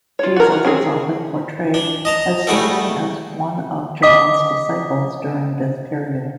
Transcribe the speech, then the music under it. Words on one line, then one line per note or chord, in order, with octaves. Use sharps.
Jesus is often portrayed as serving as one of John's disciples during this period.
F4 C#5
F#4 A#4
F#4
C4 C#4 G#4
D4
D#5 A5 A#5
G3 A3 E4 F#4 G#4 A4
D#5 D6 D#6 B6